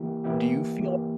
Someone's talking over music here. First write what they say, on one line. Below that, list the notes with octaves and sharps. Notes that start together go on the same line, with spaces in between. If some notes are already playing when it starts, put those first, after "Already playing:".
do you feel
Already playing: E3 A#3 E4 G4
E3 A#3 E4 G4
E3 A#3 E4 G4